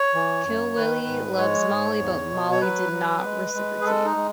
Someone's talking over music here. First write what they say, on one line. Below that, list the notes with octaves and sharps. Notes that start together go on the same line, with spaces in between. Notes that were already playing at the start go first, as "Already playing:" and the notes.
Kilwillie loves Molly, but Molly did not reciprocate.
Already playing: C#5
E3
F#2
D#3 B4
G#2
G#3 C#5
G#2
E2
B2
C#5
F#3 B4
F#3
G#3
G#3
G#4
G#3 A4
D#4
G#3